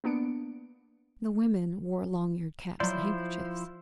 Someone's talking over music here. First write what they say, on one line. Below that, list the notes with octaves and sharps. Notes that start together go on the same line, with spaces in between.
The women wore long-eared caps and handkerchiefs.
A#3 B3 D4 C#7 D7
F3 F#3 E4 C5 D5